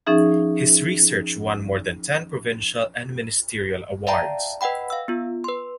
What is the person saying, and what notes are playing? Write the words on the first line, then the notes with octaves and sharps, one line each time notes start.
His research won more than ten provincial and ministerial awards.
F3 C#4 D#4 G#4 E5
D5 E5 F5 G5 A5 A#5
B4 D#5 F#5 G5 B5
F5 E6
B3 F4
B4 C6